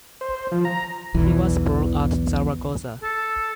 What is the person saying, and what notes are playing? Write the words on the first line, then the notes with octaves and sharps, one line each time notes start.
He was born at Zaragoza.
C5
F3
A#5
B1 E2 E3
A4